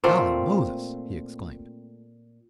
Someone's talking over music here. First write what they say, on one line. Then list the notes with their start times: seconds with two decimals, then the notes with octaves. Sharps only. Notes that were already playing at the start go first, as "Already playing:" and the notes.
"Golly Moses!" he exclaimed.
0.04 A#2 A3 C4 F4